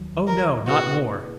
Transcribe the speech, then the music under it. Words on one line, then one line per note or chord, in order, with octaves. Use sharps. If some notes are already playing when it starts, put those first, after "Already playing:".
"Oh, no, not more!"
Already playing: D#2 D#3 F#3
A#4
B2 A#3 E4 F#4 G#4 B4